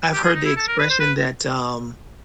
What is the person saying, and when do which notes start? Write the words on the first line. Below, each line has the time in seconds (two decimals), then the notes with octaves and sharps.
I've heard the expression that, um
0.13 G4
0.24 G#4
0.35 D#4
0.45 E4
0.57 A4
0.68 A#4
0.79 B4
0.90 C5
1.00 B4